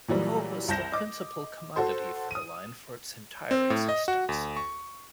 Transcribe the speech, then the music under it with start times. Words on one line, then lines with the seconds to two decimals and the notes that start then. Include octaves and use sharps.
Coal was the principle commodity for the line for its entire existence.
0.08 A#2 E3 F#3 G3
0.68 C2 A5 G6 A#6 E7
0.92 D#5 D6
1.76 F#4 A4 C5
2.31 D#6 D#7
3.51 C4
3.70 A2
3.89 D#5
4.08 F#4
4.29 D2
4.57 C#6